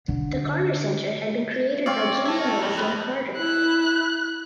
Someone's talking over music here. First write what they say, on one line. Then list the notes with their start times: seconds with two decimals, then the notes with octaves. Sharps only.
The Carter Center had been created by Jimmy and Rosalyn Carter.
0.08 D3
1.86 C4 C#5 D5 F5
2.25 E4 A4
2.63 F2
2.77 B4
3.37 E4 F#6